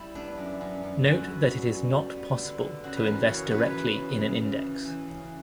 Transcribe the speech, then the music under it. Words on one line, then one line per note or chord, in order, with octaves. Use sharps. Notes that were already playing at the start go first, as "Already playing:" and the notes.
Note that it is not possible to invest directly in an index.
Already playing: G3 E4
B3 D4
F#2
F#2
F#2
D3 F#4
B3
F#2
G3
G3
B3
D3
D3
C#3 F#4
B4
E3 A#4
C#3 C#5
B3 B4
C#5
B4
E3
C#3
C#3
C#3
E3
E3
C#3